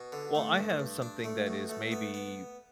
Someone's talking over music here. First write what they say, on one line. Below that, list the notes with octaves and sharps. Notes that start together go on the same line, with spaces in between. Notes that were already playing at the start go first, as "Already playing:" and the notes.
Well, I have something that is maybe,
Already playing: B2
D3
A3
G2
G2
D4
A3
B2
A3
B3
B3